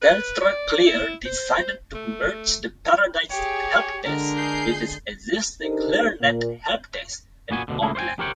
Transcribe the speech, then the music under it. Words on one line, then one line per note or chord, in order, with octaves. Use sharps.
TelstraClear decided to merge the Paradise helpdesk with its existing Clearnet helpdesk in Auckland.
B4
D5
E4
C5
A3
G4 G#4 C#5
D3 G#3 D4 A#4
G#4 G6 C7
D4 D#4 G4 A4 A#4 C5
A#2 A#3
A#2 B3 F#4 G#5
D2 B2 D3
C#2 A3 A#3 E4 G#4
C5 C#5 F5 G5 G#5
G4 A#4 C5 C#5 F#5 G5